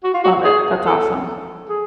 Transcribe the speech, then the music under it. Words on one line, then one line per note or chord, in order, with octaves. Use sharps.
Love it. That's awesome.
F#4
F4
F#4
G#4
A4
G#4